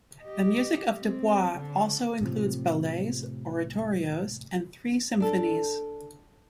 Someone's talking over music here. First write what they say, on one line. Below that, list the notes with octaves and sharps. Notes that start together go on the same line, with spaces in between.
The music of Dubois also includes ballets, oratorios and three symphonies.
G4 D#5
C4
D3
A2 C3 F3
D4 A4